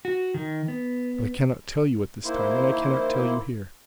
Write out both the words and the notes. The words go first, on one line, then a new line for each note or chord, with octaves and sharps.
But I cannot tell you at this time, and I cannot tell you here.
F#4
D#3
B3
D#3 A#3 E4 C5